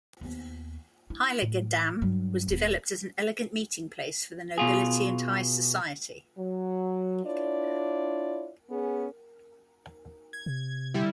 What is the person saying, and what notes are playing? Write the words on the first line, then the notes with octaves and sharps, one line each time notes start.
Heiligendamm was developed as an elegant meeting place for the nobility and high society.
D#2 B3
E4
A2
G2 F#3
E1 B3
B2 F4 G#4
F#3
D4 E4 F4 C#5 D5
B3 C#4 G#4
G#6
C3
D3 G3 E4